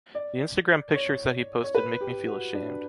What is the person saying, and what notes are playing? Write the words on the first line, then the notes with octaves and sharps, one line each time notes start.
The Instagram pictures that he posted make me feel ashamed.
D5
C#5
C#5
B4
G4
F#4
D4